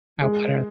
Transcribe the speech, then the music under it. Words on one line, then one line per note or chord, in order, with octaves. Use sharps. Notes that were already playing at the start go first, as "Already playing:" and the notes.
I wanna
G#3